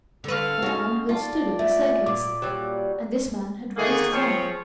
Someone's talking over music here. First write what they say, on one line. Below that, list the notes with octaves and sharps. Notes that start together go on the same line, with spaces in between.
A man had stood at the staircase, and this man had raised his arm.
D3 A4 B4 F5
C#4 D#4 F#4
F4 D5 A5
A3 E5
A#2 D6
F#3 G3
D3 D#3 A#3 D#4 F#4 G#4
F3 C4 F4 G#4 C5 C#5